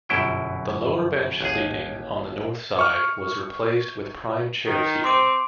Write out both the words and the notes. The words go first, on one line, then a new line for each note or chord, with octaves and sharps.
The lower bench seating on the north side was replaced with prime chair seating.
G1 F#2 B2 E4 G5
A1 D#2 G#4
C#6 F6
D#3
C4 C6 D6 D7